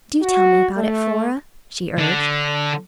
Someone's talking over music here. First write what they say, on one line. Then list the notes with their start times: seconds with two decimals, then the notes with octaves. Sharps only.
"Do tell me about it, Flora," she urged.
0.22 F#4
0.77 A3
1.99 D3